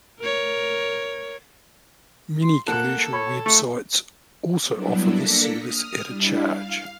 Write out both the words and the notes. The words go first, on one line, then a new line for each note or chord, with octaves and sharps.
Many commercial websites also offer this service at a charge.
A#4 C#5
C6
A#3 A4 F#5 F#6
C#5 B5
A3 C#6
F#3 G3 B3 D4 E4
A#3 D4 A4 A#6 B6 C#7
D#6 F6
G3 D4 E4
F5